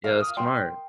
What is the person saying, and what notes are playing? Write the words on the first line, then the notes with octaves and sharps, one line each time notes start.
Yeah, that's smart.
A#4 F5
D#6
G5 C6